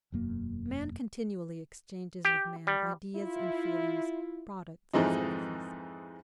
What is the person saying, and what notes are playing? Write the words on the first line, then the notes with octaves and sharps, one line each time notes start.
Man continually exchanges with man ideas and feelings, products and services.
E1 F#2 A#3
G4
G3
E4 F4
F2 G#2 E3 F3 D#4